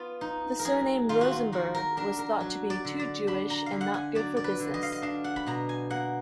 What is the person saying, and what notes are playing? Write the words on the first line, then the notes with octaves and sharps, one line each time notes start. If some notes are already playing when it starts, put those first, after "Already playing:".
The surname "Rosenberg" was thought to be "too Jewish" and not good for business.
Already playing: B3 F4
D#4
A#4
F#3 G#4
D#3 F4
F#4
F4
A#3 F#4
A#4
D4 A#4
A#4
F#3
D5
D3
D5
D4 B5
A#5
D3 F5
F#5
G#5
F#3 D5
D5
B4
D3
D#5
F5
D#5
D4 F5
F#5
B5
B2 A#5
G#5
A#3 F#5